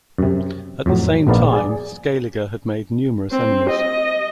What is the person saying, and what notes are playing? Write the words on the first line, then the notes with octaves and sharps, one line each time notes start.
At the same time, Scaliger had made numerous enemies.
F#2 C3
F2 A2 F#3
A#1 G#2 B3 A#4 D5 F5
G#4 D5
C4
D#5